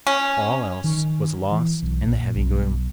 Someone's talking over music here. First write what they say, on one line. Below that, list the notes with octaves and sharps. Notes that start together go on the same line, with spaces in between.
All else was lost in the heavy gloom.
C#4
D#3
E3
B1
A#1
B1